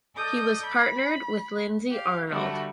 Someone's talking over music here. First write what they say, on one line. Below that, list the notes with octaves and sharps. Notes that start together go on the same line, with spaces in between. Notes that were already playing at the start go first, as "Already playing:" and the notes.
He was partnered with Lindsay Arnold.
A4 D5 D#5 D#6 G6
B5
G4 F5
D3 G3 A3 F#4